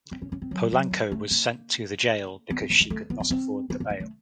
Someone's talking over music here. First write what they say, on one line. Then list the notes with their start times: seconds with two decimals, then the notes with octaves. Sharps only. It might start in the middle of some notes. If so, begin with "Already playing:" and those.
Polanco was sent to the jail because she could not afford the bail.
0.11 C4
0.22 C#4
0.32 C#4
0.42 C4
0.51 F#3
0.72 F#3
0.91 G#3
1.12 A3
1.31 A#3
2.50 B3
2.60 C4
2.70 A#3
2.80 G#3
2.90 A3
3.10 B3
3.20 C4
3.30 C4
3.70 B3
3.80 A#3
3.90 A3
4.00 A3